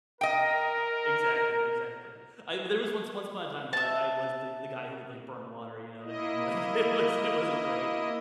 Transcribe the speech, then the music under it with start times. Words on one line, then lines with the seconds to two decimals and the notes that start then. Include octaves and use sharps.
exactly, exactly. I there was once once upon a time that I I was the the guy who would, like, burn water, you know what I mean, like it was it wasn't great.
0.21 A#4 D#5 G5
3.73 E5 A5
6.02 A#3 E4 D#5